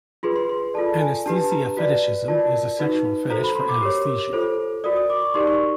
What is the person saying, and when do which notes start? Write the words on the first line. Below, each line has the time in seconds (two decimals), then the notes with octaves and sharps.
Anesthesia fetishism is a sexual fetish for anesthesia.
0.23 F4 G#4 B4 C6
0.36 C6
0.49 C6
0.74 F4 A4 D5 A5
1.00 G#5
1.26 D4 G4 B4 A5
1.51 A#5
1.77 F#4 B4 D5
2.28 F4 A#4 D5 A5
2.79 D#4 F#4 B4
3.30 F#4 A4 C5 A#5
3.44 B5
3.55 C6
3.69 D6
3.82 G4 A#4 C#5
4.33 F4 A4 C5
4.84 F#4 A#4 D5 D#6
4.96 D#6
5.10 D6
5.22 C#6
5.34 D#4 G4 A#4 D5 C6
5.47 C#6